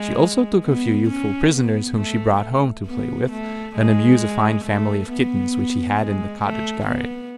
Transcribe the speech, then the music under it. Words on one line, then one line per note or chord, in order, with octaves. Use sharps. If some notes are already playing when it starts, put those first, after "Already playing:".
She also took a few youthful prisoners, whom she brought home to play with and amuse a fine family of kittens, which she had in the cottage garret.
Already playing: G#3
B3
C#4
B3
A3
B3
A3
G#3
A3
B3
G#3
A3
B3